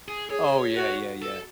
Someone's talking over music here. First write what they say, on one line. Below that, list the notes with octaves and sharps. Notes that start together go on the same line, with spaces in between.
Oh, yeah, yeah, yeah.
G#4
G#4 C#5
F#4
A4